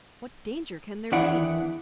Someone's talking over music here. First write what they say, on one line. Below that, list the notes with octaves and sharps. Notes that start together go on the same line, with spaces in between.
"What danger can there be?"
E2 D#3 D4 E4 D5 F#5